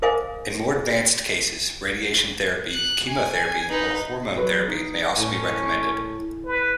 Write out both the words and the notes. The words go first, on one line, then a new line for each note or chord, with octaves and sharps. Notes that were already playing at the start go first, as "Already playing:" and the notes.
In more advanced cases, radiation therapy, chemotherapy or hormone therapy may also be recommended.
G#4 A#4 C5 D#5 F5 G#5
F#6
G#5
D#4 B4
F#3 B4
D#4
A2 C#4
B4